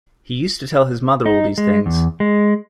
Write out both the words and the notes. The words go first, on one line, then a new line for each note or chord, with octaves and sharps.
He used to tell his mother all these things.
D#4
G#3
E2
G#3